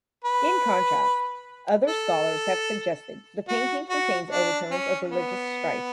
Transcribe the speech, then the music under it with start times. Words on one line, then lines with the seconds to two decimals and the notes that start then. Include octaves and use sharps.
In contrast, other scholars have suggested the painting contains overtones of religious strife.
0.24 B4
1.87 A4
3.48 F#4
3.90 F#4
4.30 D4
4.71 C#4
5.11 B3